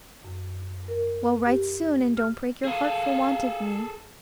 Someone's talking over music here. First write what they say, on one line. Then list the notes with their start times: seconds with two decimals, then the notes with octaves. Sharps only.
Well, write soon, and don't break your heart for want of me.'
0.25 F#2
0.88 A#4
1.46 G4
2.17 F6
2.64 G#4 A4 F5